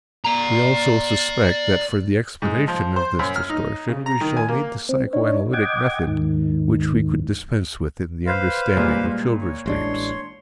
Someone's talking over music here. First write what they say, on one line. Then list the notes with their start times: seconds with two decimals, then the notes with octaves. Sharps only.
We also suspect that for the explanation of this distortion we shall need the psychoanalytic method which we could dispense with in the understanding of children's dreams.
0.24 D5 A#5
2.42 G#2
2.68 F3
2.96 C5
3.19 F#2
3.36 F6
3.49 D#4
3.88 C#3
4.06 A#5
4.21 D#3
4.37 G#5
4.48 A#3
4.89 C4
5.13 D4 D#4 C#5
5.53 D#5 F#5 G5 D6 G#6
6.07 D#2 G#2 D#3
8.27 B4 C5 F5
8.77 A#2 G3 G#3 A#3
9.41 C#5
9.66 A1 G#3 D4 C#5 C6